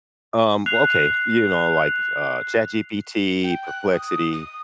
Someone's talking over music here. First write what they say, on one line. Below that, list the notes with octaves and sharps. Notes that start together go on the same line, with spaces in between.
Um, well, okay. You know, like, uh, ChatGPT, Perplexity,
F#6 C7 F7
G5
F#6
D#6
D#6